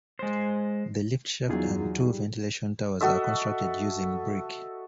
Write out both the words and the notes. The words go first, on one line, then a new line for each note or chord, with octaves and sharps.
The lift shaft and two ventilation towers are constructed using brick.
G#3 C5
E2 F#3 D#4 F4 G#4
G3
F#4 A4 D#5 E5